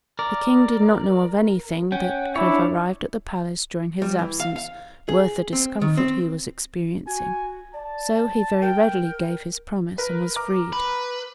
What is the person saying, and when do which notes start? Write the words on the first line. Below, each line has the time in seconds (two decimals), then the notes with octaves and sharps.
The King did not know of anything that could have arrived at the palace during his absence worth the discomfort he was experiencing; so he very readily gave his promise, and was freed.
0.19 A#4 D5
1.92 C#4 F#5 G5
2.36 D4 E4 C#5
4.02 G3
4.19 E3
4.40 F5
4.56 F5
5.09 G#4
5.53 C4
5.81 D#3
5.97 C4
7.07 F#4 G#5
7.74 D5 A5
8.62 A#4 G5
9.98 A#4 B4
10.36 A#5 D6 F6
10.73 B4